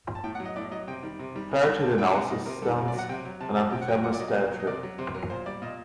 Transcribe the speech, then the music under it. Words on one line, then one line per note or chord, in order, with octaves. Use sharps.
Prior to the analysis stands an antifeminist diatrib.
A5
A2 G5
F#5
F#3
D#5
A2 D5
F#3 D#5
C3 G5
D#3 G3
C3
D#3 G3
C3
D#3 G3
C3 A5
D#3 G3 G5
C3 F#5
D#3 G3 D#5
C3 A#4
D#3 G3 A4
C3 A#4
D5
F#3
F#5
C3 G5
F#3
C3 A5
F#3 A5
C3 G5
F#5
F#3 G5
A#2 F#5
D5
F#3 D#5
A#2
F#3
D#5
C3 D5
F#3
C3 C5
F#3 A#4
A#2 C5
G3 D5
A#2 D#5